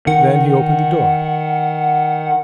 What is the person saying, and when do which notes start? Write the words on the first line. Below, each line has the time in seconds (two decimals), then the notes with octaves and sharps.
Then he opened the door.
0.07 D#3 F#5